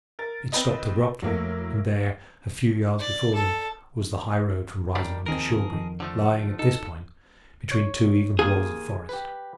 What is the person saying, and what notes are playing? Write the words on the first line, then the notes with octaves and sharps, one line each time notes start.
It stopped abruptly; and there, a few yards before them, was the high road from Risingham to Shoreby, lying, at this point, between two even walls of forest.
A#4 A6
C4 B4 D#5
F2 F#3 A3 A#3 E4
D5
A4
D#3 G3 D4
D#2 D#3 F3 C4 G#4 A#4
F2 D#3
D3 F3 A3
D#4 A4
C#5
D#2 G#4 F5
G4 B4